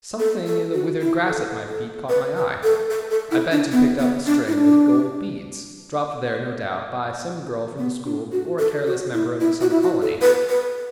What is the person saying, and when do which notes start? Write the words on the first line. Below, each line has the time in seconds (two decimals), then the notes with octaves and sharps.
Something in the withered grass at my feet caught my eye. I bent and picked up a string of gold beads, dropped there, no doubt, by some girl from the school or a careless member of the summer colony.
0.19 A4
0.46 A4
0.73 F#4
1.01 E4
1.28 A4
1.68 A4
2.09 B4
2.36 B4
2.63 A4
2.90 A4
3.11 A4
3.31 E4
3.51 D4
3.72 B3
3.99 B3
4.26 D4
4.47 E4
4.53 D4
7.78 B3
8.05 D4
8.32 F#4
8.59 A4
8.86 F#4
9.13 E4
9.40 E4
9.61 F#4
9.71 E4
9.81 F#4
10.02 A4
10.21 B4
10.49 B4